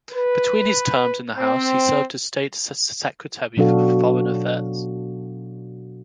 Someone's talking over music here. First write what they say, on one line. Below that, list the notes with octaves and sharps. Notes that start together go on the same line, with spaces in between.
Between his terms in the House he served as State Secretary for Foreign Affairs.
B4
C4
B2 F#3 D4 F#4 A4 F5